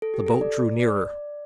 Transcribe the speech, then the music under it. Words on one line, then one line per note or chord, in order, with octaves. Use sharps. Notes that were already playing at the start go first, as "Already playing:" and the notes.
The boat drew nearer.
A4
G4
A4
D5
D5